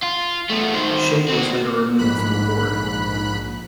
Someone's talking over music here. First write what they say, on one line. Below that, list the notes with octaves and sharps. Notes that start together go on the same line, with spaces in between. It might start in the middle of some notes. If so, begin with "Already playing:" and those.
Shaikh was later removed from the board.
F4
A3 B3
D#3 C5
C4 F#4
A#1 G#2 B5 F#6